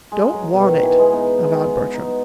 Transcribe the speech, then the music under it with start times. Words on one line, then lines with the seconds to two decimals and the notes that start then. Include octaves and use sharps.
"Don't want it," avowed Bertram.
0.12 G#3
0.33 F#3
0.53 B2
0.68 D#3
0.83 E3
0.98 G#3 B3
1.13 B3 D#4
1.44 G#3 B3
1.94 B3 D#4